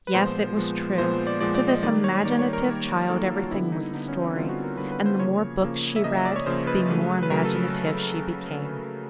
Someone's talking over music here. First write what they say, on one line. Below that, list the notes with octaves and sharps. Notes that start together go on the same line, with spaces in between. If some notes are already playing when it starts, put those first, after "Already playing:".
Yes, it was true; to this imaginative child everything was a story; and the more books she read, the more imaginative she became.
B4
A#2 F3 G#3 B3 C5
A#2 F3 G#3 B3
A#2 F3 G#3 B3 C5
D5
A#2 F3 G#3 B3 D5
D5
D#5
D#3 G3 A#3 D5
C#5
D#3 G3 A#3 D5
C#5
A#4
D#3 G3 A#3
D#3 G3 A#3 A4
F4
F#4
D3 G3 B3 E4
D#4
D3 G3 B3 D#4
C#4
C4
D3 G3 B3 F4
F#4
A#4
D3 G3 B3 B4
B4
C5
C#3 F3 A#3 C#5
C#3 F3 A#3
E5
C#3 F3 A#3 D#5
E5
D5
C#5
C#3 F3 A#3 C5
B4
C#3 F#3 A3
B4
C#3 F#3 A3 A#4
A4